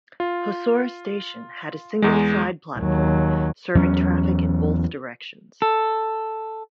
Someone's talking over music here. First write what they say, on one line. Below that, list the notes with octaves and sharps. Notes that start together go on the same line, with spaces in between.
Hosoura Station had a single side platform serving traffic in both directions.
F4
E2 G#3
D#2 F#3
E2 F#3 B3 C#4
A4